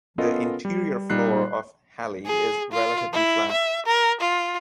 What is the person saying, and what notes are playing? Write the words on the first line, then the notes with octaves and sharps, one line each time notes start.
The interior floor of Halley is relatively flat.
B3 C#4 F4 A4 A#4 D#5
G3
A#2 G3 D#4 F#6 C7
G#4
F4
E4
E5
A#4
F4